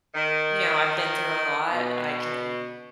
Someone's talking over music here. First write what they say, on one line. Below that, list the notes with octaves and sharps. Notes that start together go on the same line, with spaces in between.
You know, I've been through a lot. I can
D#3
B2